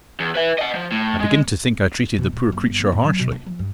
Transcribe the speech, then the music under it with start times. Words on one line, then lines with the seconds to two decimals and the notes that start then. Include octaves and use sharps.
I begin to think I treated the poor creature harshly.
0.20 E2
0.35 B4 E5
0.58 D#5 F#5
0.75 F3
0.92 A2
1.20 G#3
2.18 B2
2.33 A#2
2.52 F#1
2.66 G1
2.80 B3
2.92 A2
3.04 F#3
3.19 B2
3.32 D4
3.46 F3
3.59 G2